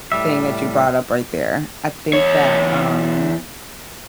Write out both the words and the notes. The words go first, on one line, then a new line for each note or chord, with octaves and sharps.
thing that you brought up right there. I think that, um,
A2 G3 E5
E2 C#5